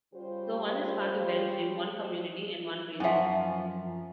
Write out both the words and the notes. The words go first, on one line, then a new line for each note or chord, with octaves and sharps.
So one is part of Belgium, one Community, and one Region.
C#3 G3 F4 G4 C5
F#2 F3 E5 G#5